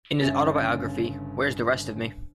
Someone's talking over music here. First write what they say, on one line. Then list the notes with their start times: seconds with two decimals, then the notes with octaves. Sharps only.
In his autobiography, Where's the Rest of Me?
0.21 G1 C#3 C#4 E5 G#5 A6